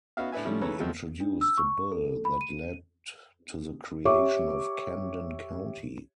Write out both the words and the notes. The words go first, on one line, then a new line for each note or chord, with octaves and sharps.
He introduced the bill that led to the creation of Camden County.
B3 C#4 D#4 F#4 E5 F5
A2 D4 B4 E5 G#5
F3 G3 A3 C#4
C#3 E3 A4 B4 C#5 A#5
C#3 F3 F#3 G#3 A3 C4
D4
E6
C#6
A4
B5
D#7
G4 C#5 E5 C#6 D6